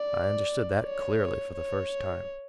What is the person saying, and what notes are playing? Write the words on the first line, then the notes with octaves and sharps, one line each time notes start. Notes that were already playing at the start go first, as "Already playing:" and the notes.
I understood that clearly, for the first time.
Already playing: D5
C#5
C#5